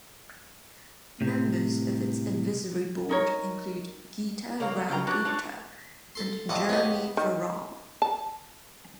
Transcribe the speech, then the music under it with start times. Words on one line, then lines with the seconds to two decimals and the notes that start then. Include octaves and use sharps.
Members of its advisory board include Geeta Rao Gupta and Jeremy Farrar.
1.21 A2 C3
3.09 D#4 A#4 C#5
4.60 A#3 B3 C#5 F5 A#5
4.77 A4
4.88 C#3 F4 G5 A#5
5.07 D4 F#4 G4 A#4 B4 C#5
5.25 D4 F4 B4 C#5
6.15 A4 C6
6.49 F2 A2 C3 D5 D#5 F#5
6.69 B3 G4 C#5 D#5
7.17 D#3
8.02 A5